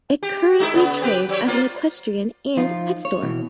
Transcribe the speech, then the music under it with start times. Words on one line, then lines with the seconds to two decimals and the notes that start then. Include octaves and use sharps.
It currently trades as an equestrian and pet store.
0.23 G4
0.60 G#3 D#4 E4
0.74 C#3 B3
1.02 C4 G4 B4
1.29 F#3 G4 C#5
1.46 A#3 F4 C5
2.57 F3 D#4 F4
3.05 C#5
3.23 B2 E3